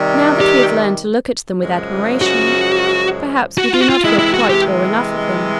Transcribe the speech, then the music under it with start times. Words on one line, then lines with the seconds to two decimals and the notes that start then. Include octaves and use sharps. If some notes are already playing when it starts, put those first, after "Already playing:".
Now that we have learned to look at them with admiration, perhaps we do not feel quite awe enough of them.
Already playing: C3 D#3 G3
0.40 G4
1.61 F#2 C#3 F3 G#3 C#4
2.22 F#4
3.58 F#4
3.74 F4
3.81 F#4
3.89 F4
4.04 C3 E3 G#3 E4
4.19 E4
4.34 F#4
4.49 G4